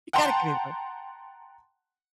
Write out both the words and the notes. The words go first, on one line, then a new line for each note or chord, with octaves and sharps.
You gotta give me one.
F#5 G5 A5 A#5 C6